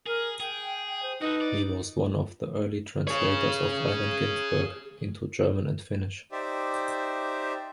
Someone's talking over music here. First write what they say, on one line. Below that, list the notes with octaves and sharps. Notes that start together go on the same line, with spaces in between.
He was one of the early translators of Allen Ginsberg into German and Finnish.
G#4 A#4
G#4 G5
C5
D#4 F#4 A4 B4
D5
G#4 C#5
D#4 G4 C5 D5 E5